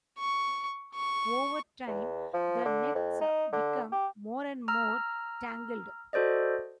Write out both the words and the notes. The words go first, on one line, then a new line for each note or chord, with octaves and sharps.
Over time the nets become more and more tangled.
C#6
C#6
E2
F3
D3
F2
D#4
D3
G4
A#5 E6 F6
F#4 A4 C5 D5 D#5